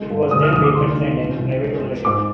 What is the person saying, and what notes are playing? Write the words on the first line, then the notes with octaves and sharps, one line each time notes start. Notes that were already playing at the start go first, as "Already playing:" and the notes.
It was then vacant and in private ownership.
Already playing: G#3
G2
D2 D#6
F6
D2 D#6
D6
C2 C6
D#3
A#2
C2
G#3
F2
G#2 D6